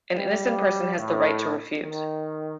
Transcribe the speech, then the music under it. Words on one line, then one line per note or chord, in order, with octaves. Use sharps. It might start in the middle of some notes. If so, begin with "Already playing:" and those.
An innocent person has the right to refute.
G3
A2
D#3